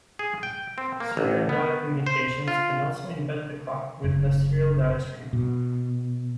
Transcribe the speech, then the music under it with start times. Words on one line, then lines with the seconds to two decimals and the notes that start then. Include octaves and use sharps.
Serial data communications can also embed the clock within the serial data stream.
0.19 G#4
0.43 G5
0.78 C4
1.00 A#3
1.17 A1
1.49 B3
2.06 C5
2.48 F4
4.04 F#1
5.33 B2